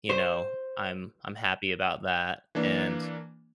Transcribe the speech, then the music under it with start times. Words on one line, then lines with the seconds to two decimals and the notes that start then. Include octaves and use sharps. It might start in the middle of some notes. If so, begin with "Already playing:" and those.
you know, I'm I'm happy about that, and
0.09 C5
2.55 E3 A#3 D4